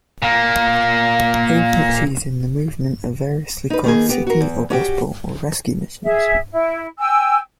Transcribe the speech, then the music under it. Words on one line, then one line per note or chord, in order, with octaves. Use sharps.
Agencies in the movement are variously called "City" or "Gospel" or "Rescue" Missions.
A#2 A#3
D#4 B4
D#3 A#3 G#4
B3 G4
F#4 A#4
E2
C#4 F#4 G4
G#4 E5
E4
G5 G#5 E6